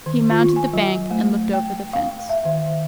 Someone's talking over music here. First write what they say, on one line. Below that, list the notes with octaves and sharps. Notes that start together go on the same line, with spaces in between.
He mounted the bank and looked over the fence.
D#3
F4
G#5
F#3
A3
G5
F5
E5
D#3